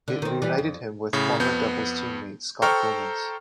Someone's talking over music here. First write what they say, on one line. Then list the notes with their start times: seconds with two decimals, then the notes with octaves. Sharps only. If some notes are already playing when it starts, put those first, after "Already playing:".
It reunited him with former Devils teammate Scott Gomez.
0.08 D3
0.22 D#3 C4
0.42 E3 G3 G4
0.58 F2
1.13 A2 C#3
1.40 F2 B3 G6
2.62 A4 C5 G5 A#5 C#6 F6